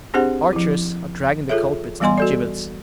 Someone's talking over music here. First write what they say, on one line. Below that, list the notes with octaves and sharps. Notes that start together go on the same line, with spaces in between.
The archers are dragging the culprits to the gibbets.
C4 D4 G4 G#4 C5 F#5
F3 E4
F4 G#4 A4 C#5 E5
E3 G3 B3 D#5 G#5 C6
F#4 A4 D5